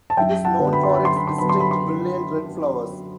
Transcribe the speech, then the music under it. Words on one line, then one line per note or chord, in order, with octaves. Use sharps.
It is known for its distinct brilliant red flowers.
A5
F#2 E5 G5
F#5 A5
D3 F#3 B3
B5
C6
B5
F#2 C6
B5
C6
D3 F#3 B3 B5
C6
B5
C6